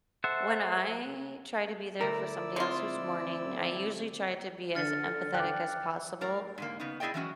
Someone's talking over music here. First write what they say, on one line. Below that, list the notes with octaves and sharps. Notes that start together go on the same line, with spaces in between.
When I try to be there for somebody else who's mourning, I usually try to be as empathetic as possible,
A4 C5 E5 F#5
D2 E4 A4 A#4 D5 E6
G#3 C4 F4
D3 F6 A6 C#7
G5 D6 F#6
A2 A#4 D5 A#5
G#2 D3 A#3
C#3 B3 D#4
B3 E4 G#4 D5 D#5 G5
E3 F#3 G#3 C#4 F4 F#4